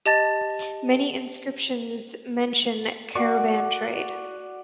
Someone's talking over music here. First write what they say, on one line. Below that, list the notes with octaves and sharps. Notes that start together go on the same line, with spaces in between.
Many inscriptions mention caravan trade.
G4 D#5 A5 A6
F#4 D5